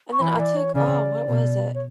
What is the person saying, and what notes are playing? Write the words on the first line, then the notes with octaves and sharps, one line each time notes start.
And then I took Oh, what was it?
C#6
E3 B5
D5
C#5
C#3 D5
B2
C#5